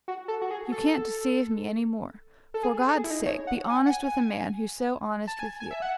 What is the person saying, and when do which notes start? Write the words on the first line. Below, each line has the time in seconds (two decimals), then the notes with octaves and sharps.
You can't deceive me any more; for God's sake be honest with a man who's so honest with you.
0.08 F#4
0.28 A4
0.42 F#4
0.51 G#4
0.72 A4
2.54 A4
2.63 G#4
2.78 G#4
2.88 A4
2.94 G#4
3.04 E4
3.10 D#4
3.27 C#5
3.47 F#5
3.70 G#5
3.86 F#5
3.91 G#5
5.28 A5
5.39 G#5
5.60 G#5
5.71 E5
5.82 F#5